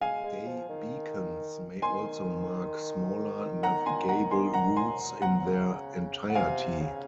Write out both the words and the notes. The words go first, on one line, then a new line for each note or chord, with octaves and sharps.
Day beacons may also mark smaller navigable routes in their entirety.
G#3 F5 G#5
G#3
F3
D#3
D#3 G#5 C6
F#5 A#5
G#5 C6
F#5 A#5
G#5 C6
F#5 A#5
G#5 C6
F#5 A#5
C#3
F#5
C3 F5 G#5
C#3